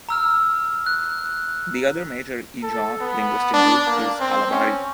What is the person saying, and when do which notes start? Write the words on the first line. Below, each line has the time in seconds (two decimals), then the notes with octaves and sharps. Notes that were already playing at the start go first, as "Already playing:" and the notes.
The other major Ijaw linguistic group is Kalabari.
0.09 A#5 E6 F6
0.86 F#6
2.63 A4
3.01 B3
3.54 D4
3.86 A#3
4.20 C4
4.51 C#4